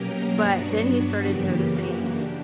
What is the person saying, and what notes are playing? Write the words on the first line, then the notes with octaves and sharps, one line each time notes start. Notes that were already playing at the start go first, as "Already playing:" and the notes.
But then he started noticing
Already playing: B2 F#3 A#3 C#4 G4 A#4
G2 F#3 B3 D4 F#4
F#2 C#3 E3 A#3 G4
F#4
D4 G4